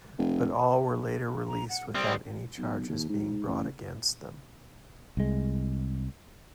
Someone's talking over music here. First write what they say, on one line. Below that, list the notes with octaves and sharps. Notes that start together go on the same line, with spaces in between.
But all were later released without any charges being brought against them.
F1
A#5
F#5
G3 C4 D#6
B1
D#2
G#2
A1
C2 G#3